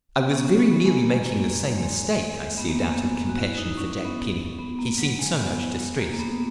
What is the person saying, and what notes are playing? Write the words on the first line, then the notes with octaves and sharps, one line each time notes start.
"I was very nearly making the same mistake," I said, out of compassion for Jack Penny--he seemed so much distressed.
B3
C#4
B3
C#4
B3
G#3
A#3
G#3
A#3
A#3
G#3
B3
A#3
G#3
A#3
F#4
E4
D#4
C#4
C#4
B3
B3
A#3
F#3
G#3
B3
E4
G#3
A#3
A#3
B3